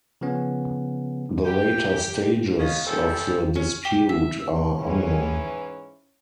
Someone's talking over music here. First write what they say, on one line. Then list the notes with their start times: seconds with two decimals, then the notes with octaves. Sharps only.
The later stages of the dispute are unknown.
0.21 C#3 F3 B3 C#4
1.45 G4
2.59 B3 C#4 D#5 F5
2.85 F3 G3 C4 C#4 E4 A4
3.56 C#4
3.85 G4
4.09 E5
4.75 G#2 E3 C#4